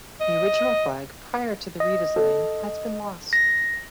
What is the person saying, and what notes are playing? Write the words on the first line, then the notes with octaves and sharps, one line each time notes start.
The original flag prior to the redesign has been lost.
D#5
D#5
A4
A#6